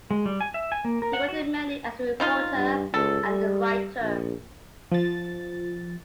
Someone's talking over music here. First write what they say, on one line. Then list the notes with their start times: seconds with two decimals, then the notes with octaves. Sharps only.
He worked mainly as a reporter and a writer.
0.11 G#3
0.26 G3
0.41 G#5
0.54 E5
0.72 G#5
0.85 A#3
1.02 A#4
1.13 F#5
1.28 F#4
2.20 F3 D#4 F4
2.56 G2
2.94 C#2 A4
3.25 G3
4.01 A#1
4.92 F3 A6